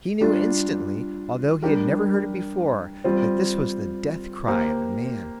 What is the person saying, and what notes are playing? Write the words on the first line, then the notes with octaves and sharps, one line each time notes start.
He knew instantly, although he had never heard it before, that this was the death cry of a man.
G3 D4 F4
G3 D4 G4 A#4
G3 C4 F4
A#3 G4 C5